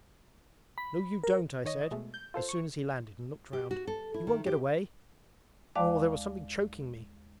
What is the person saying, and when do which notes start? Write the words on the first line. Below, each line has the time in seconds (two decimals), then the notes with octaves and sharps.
"No, you don't!" I said, as soon as he landed and looked round, "you won't get away!" Oh, there was something choking me!
0.78 B5
1.24 A#4
1.65 D#3 C#5 D#5
1.91 B2 G#3 A3
2.14 G6
2.34 F4 A4 C5
2.49 C#6
3.53 G4
3.71 F#4
3.87 A4
4.14 E4
4.27 D#3
4.46 G4
5.75 D#2 G#3 D5 F5 A5 D6